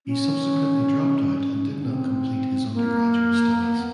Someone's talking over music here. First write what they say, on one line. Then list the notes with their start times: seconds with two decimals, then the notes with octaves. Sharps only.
He subsequently dropped out and did not complete his undergraduate studies.
0.06 C#4
1.83 C4
2.72 A#3
3.60 B3